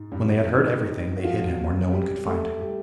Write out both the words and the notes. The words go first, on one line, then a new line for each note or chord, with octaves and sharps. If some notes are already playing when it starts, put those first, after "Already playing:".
When they had heard everything, they hid him where no one could find him.
Already playing: G#2
G2 G3
D#3 D#4
F#4
F3 F4
G3 G4
A3 A4
G3 G4